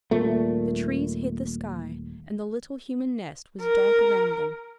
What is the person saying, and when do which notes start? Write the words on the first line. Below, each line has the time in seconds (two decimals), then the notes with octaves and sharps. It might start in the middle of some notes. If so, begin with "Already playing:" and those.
The trees hid the sky, and the little human nest was dark around them.
0.11 D#1 A#2 A3
3.62 A#4